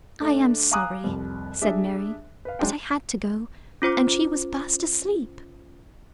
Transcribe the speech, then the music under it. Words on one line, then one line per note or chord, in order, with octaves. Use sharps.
"I am sorry," said Mary; "but I had to go, and she was fast asleep."
A3 D4
F5 G#5 A#5 D6 D#6 F#6
C2 F2
G3 D4 G#4 E5
B4 F5
F#3 G#3 D4 G5
C#4 F4 C5 D6